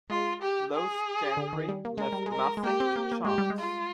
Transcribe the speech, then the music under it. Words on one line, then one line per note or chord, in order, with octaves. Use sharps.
Those gentry left nothing to chance.
G#3 F4
G4
G#4
D3
D#3
G3
A#3
G#3 A#4
G3
G#3
A#4
G#3
A#3 G4
C4
A#3
A#3
G#3 G4
G3
G#3
F4